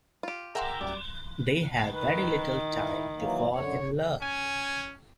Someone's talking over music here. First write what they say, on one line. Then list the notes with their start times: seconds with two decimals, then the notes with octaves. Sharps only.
They have very little time to fall in love.
0.23 F4 G4
0.55 G#4 A#4 E5 F#5 G5 A#5 C6
0.81 A#1 F#2 G3 D5
1.93 D#3 B4
2.70 E4
3.17 E3 F#3 A#3
3.55 F#2 D3 C#5
4.22 C#4 G#5